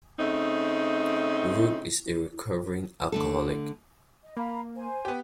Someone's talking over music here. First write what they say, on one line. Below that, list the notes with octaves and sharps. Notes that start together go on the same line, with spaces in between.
Rook is a recovering alcoholic.
C#3 A3 C4 D#4
D3 A3 A4
D#5
A#3 F5 A#5 B5
C5 G#5
B3 G4